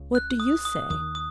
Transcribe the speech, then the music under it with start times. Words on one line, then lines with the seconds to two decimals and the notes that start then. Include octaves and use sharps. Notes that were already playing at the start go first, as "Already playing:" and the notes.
What do you say?'
Already playing: C#2 C#3
0.15 F#6
0.40 D#6
0.65 D#6
0.90 D#2 D#3 D#6
1.15 D#6